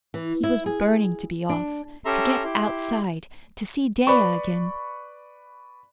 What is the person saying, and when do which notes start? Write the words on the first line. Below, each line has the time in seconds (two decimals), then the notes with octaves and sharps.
He was burning to be off, to get outside, to see Dea again.
0.14 E3
0.43 E4
0.66 G#4
1.49 D4
2.05 C#4 G4 A4 E5 A#5 C6
2.44 E4 G4 C6
4.07 B4 D5 B5 C#6